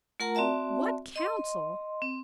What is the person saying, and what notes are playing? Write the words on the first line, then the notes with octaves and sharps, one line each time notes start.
"What council?"
A3 F4 A#4 F#5 A#5
C4 F#4 D5 E5 A5
D#5 C6
C4